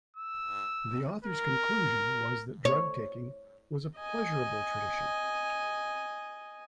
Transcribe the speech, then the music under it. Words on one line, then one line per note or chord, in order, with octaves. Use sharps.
The authors' conclusion was that drug-taking was a pleasurable tradition.
E6
A#4
C#5
D#5 G#5